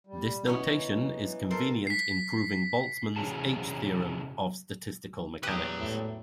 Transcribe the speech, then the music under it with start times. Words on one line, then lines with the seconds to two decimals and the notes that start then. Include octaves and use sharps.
This notation is convenient in proving Boltzmann's H-theorem of statistical mechanics.
0.07 G3
0.46 E3 B3 C#4 D#4
1.50 A4 A#4 C5
1.87 B6 C7
3.16 C3 E3 F#3 C#4 G#4 A5
5.43 E2 A#2 F#3 G4 B4 G5 D#6
5.77 A2